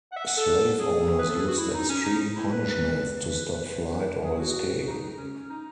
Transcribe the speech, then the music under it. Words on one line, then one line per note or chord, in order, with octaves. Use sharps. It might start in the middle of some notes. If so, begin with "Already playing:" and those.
Slave owners used extreme punishments to stop flight, or escape.
F#5
E5
F#5
A4
G#4
B4
A4
G#4
F#4
E4
D#4
C#4
D#4
E4
B4
B4
B4
B4
G#4
F#4
D#4
C#4
D#4